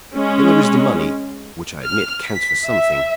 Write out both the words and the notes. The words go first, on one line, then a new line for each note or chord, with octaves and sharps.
Then there is the money, which I admit counts for something.
G#3 C#4
F6
B6
E5